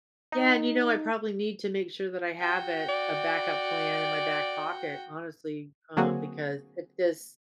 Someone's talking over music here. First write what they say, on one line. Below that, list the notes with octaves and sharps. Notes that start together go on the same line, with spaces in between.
Yeah, and, you know, I probably need to make sure that I have it a backup plan in my back pocket, honestly, um, because it is
D#4
F#4 G5
D5
D3 F#3 A#3 C4 F#4 G#4